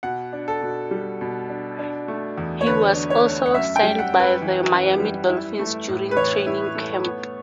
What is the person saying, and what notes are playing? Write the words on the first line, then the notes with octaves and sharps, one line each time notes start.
He was also signed by the Miami Dolphins during training camp.
B2 F#5
D4
A4
B2
G3
B2
D4
D4
A3
E2
C#5
D3 B4
D4
C#5
A3
F#5
F#2 E5
G5
G3
F#5
F#2
B4
E3
F#2
G3
E4
A3
A2
B4
E3 C#5
E4
A3
B3